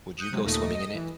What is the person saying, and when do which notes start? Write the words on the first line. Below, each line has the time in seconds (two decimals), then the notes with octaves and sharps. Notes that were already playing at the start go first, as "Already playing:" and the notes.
would you go swimming in it?
0.18 D#6 F#6 G6 C#7 D#7
0.31 C3 F#3 G#3 C4
0.45 D#2 A#2 A3 D#4 D#6 A#6
0.74 D#5
0.94 E3